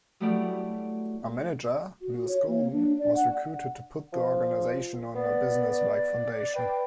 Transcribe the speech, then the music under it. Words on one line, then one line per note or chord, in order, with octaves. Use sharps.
A manager, Lewis Golden, was recruited to put the organisation on a businesslike foundation.
F#3 G3 A3 E4 G4 D5
F#4
C#5
A#3
D4
D5
F#5
F3
B3 D5
D5
B4 G5